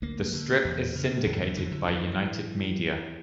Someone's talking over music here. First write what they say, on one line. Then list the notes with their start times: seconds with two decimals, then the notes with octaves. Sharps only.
The strip is syndicated by United Media.
0.02 D2 A#3
0.34 D3
0.65 E2
0.95 C#3
1.26 E2 D3
1.41 D3
1.57 D3 E3
1.72 D3
1.88 D2 E3